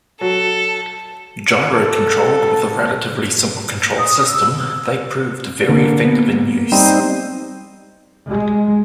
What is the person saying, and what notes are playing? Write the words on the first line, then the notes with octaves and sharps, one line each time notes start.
Gyro controlled with a relatively simple control system, they proved very effective in use.
F#3 A4
A4
D#6
E6
D3 A#3
B3
G3 C4 D#4
G#3